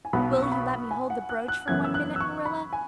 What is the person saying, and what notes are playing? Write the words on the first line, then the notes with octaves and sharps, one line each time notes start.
Will you let me hold the brooch for one minute, Marilla?
G#5
B1 B2 B3 B5
E6
C#6
B5
G#5
F#5
F#6
F#6
F#2 C#3 E3 B3 G#6
E6
F#6
E6
C#6
B5
G#5